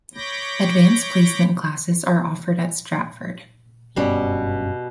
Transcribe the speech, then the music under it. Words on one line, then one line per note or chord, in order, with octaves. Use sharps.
Advanced Placement classes are offered at Stratford.
C#5 B5 D6 G6 A#6
F#1 G2 B2 G3 C#4 B5